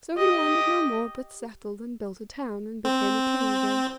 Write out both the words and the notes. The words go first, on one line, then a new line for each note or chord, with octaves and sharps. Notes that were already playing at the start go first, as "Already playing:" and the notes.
So he wandered no more; but settled, and built a town, and became a king again.
G4 D#5
C4